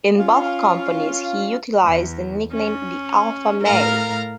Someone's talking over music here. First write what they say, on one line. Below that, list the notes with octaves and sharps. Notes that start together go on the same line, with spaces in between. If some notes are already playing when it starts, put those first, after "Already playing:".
In both companies, he utilized the nickname "The Alpha Male".
C#4 F4 F5
E2
C#4
A2 A#4 F5 A#5